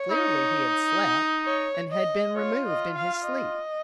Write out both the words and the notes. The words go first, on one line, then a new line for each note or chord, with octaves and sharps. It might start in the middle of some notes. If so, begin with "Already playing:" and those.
Clearly he had slept, and had been removed in his sleep.
Already playing: C#5
D#4
C#5
D#5
F4 C#5
D#5
F5
D#5